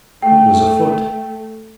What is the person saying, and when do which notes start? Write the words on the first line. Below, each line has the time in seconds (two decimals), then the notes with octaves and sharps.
What was afoot?
0.22 A3 G5